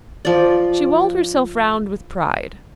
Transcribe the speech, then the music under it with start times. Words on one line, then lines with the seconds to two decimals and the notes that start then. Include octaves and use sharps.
She walled herself round with pride.
0.25 F3 D5